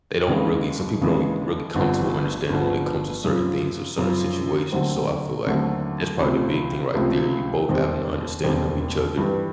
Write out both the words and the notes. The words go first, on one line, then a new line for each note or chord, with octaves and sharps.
they don't really some people don't really come to an understanding when it comes to certain things or certain situations, so I feel like that's probably the big thing right there. You both have an understanding of each other,
D#2 C#3 E3 G#3
D#2 C#3 E3 G#3
G1 G2 D3 F3
G1 G2 D3 F3
F#2 C#3 F3
F#2 C#3 F3
D#2 D3 F#3 A3 C4
D#2 D3 F#3 A3 C4
C#2 C3 F3 A3
C#2 C3 F3 A3
E1 D#2 D#3 G3 C4
E1 D#2 D#3 G3 C4
G2 E3 G3